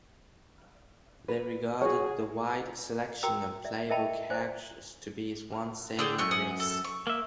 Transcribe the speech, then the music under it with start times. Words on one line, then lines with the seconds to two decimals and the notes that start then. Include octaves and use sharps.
They regarded the wide selection of playable characters to be its one saving grace.
1.28 B4
1.81 F#4 G#4 C#5
3.23 F#4 A#4 G5 A#5 E6
3.65 D5 E5
3.90 A#4 D#5 E5 G5 A5 B5
4.30 C5 D5 G#5
5.99 D3 D4 G#4 G5
6.18 F#2 A3 C#6 F#6
6.31 F#5 G#5 D#6
6.60 A4
6.84 C#6
7.07 A#3 E5